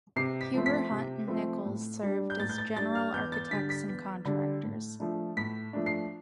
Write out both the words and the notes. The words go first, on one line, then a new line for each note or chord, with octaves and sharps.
Huber Hunt and Nicols served as general architects and contractors.
C3 C7
B6
F3 A3 C4
B6
C3
F3 A3 C4
A2
G3 D4
G6
A2 A6
G6
A6
G3 D4 A6
F6
E2 G6
A6
D3 G3 D4 B6
B6
E2
D3 G3 D4
A2
F3 A3 D4
A2 B6
F3 A3 D4
C7